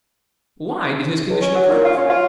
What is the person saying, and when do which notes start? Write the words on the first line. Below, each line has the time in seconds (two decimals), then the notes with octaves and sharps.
Why did his condition improve?
1.29 C#2
1.41 C#4
1.55 F#3
1.70 A#2
1.84 F4
1.97 C#4
2.09 F4